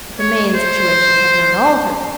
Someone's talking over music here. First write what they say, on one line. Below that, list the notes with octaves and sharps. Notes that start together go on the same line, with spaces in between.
But the main situation had not altered.
C#5
C5